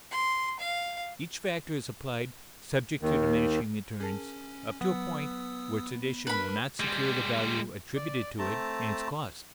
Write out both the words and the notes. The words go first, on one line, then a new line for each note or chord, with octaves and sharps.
Each factor is applied, subject to diminishing returns, up to a point where its addition will not secure the value attributed to it in its cost.
C6
F5
D#2 D#3
C#4 G#4 A#4 A5
F#3 B3 D#6 E6
D4 A#4 B4 B5
G3 G#3
D5
A3 C4 A5 A#5